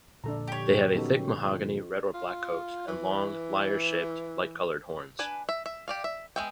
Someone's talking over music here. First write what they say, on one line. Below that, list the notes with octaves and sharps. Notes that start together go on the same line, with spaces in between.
They have a thick mahogany red or black coat, and long, lyre-shaped, light-coloured horns.
A#2 D3 F3 D4 A4 A#5
G4 C#5
F#2 B3 D#4 A4
F2
F4
E3
D4 B4 G#5
E5
E5
G4 D5 F5
E5
G#3 B3 E5 G5